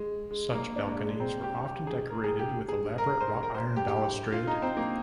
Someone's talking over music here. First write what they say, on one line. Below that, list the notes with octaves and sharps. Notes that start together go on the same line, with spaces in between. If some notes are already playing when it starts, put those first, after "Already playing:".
Such balconies were often decorated with elaborate wrought iron balustrade.
Already playing: G#3
G#3
A#3
D4
A#3
G#3
G#3
C4
G4
G4
G#4
A#4
G#4
G4
G#4
A#4
C5
A#4
C5
G4
G4
F4
D#4
C4
A#3